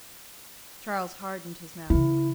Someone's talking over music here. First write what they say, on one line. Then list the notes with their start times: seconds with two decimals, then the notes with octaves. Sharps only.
Charles hardened his mouth.
1.90 C#3 E3 E4